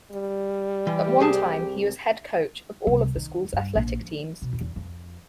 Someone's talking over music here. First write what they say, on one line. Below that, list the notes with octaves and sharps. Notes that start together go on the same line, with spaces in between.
At one time, he was head coach of all of the school's athletic teams.
G3
E3 G4
C2 G#4 A5
C2
D#3
G2
A#1
F3
B2
E2
F2